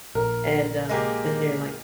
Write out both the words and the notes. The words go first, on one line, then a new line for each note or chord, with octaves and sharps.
and, um, then they're like
A#1 A#4
G#3 A#3 G4 D#5 G#5